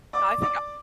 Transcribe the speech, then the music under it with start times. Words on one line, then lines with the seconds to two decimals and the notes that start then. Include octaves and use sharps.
Yeah, I think I
0.13 D5 D6
0.42 D5 D6